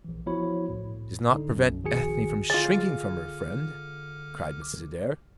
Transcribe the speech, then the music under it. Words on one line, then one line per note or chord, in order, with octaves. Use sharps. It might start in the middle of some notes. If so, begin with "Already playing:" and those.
"It does not prevent Ethne from shrinking from her friend," cried Mrs. Adair.
A#1 E3
F3 B3 E4 F#4 C#5 B5
C2 A2
D3 D#4
B1 F#2
A#1 D#3 F#4 G#4 G#5 C#7
D3 F4 G#4 D#5 D6 F6